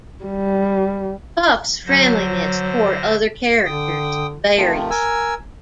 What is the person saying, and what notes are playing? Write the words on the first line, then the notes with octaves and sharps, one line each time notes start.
Puff's friendliness toward other characters varies.
G3
D3 F#3 C5 A#6
D3 G5 D#6
C3 D#3 F3 A3
A#4 G#5 E6